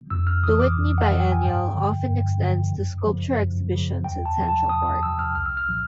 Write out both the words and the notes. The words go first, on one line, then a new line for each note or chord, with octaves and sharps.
The Whitney Biennial often extends to sculpture exhibitions in Central Park.
F2 E6
F6
C3 E3 D#6
D6
F2
F#5
C3 E3
G5
G#5
G2 G5
D3 F3
G2
D3 F3
F#2
C#3 F3
F#2
C#3 F3
E2 G5
A5
C3 F3
A5
E2 D#6
D#6
C3 F3 E6
F6
C2 F6
E6
F6
A#2 F3